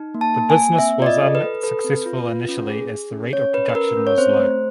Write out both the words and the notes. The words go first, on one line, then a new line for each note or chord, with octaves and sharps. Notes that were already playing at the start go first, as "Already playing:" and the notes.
The business was unsuccessful initially as the rate of production was low.
Already playing: D#4
A#3
A5
A#3
G#5
A#3
C4 E5
F4 D5
D#5
A4
B4
A4
A4 B4
C4
F4
F4
C#4
G#4
G#4
C#4
C#4 C#5
C#4 B4
B4
C#4 A#4
C#4
C#5
C4 C5
A3